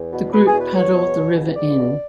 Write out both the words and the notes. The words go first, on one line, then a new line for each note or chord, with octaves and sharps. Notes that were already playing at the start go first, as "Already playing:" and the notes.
The group paddled the River Inn.
Already playing: E2
B2
B2 B4
G#4
E2
B4
E2 C#5
B2
B2
C#2
C#2 D5
B2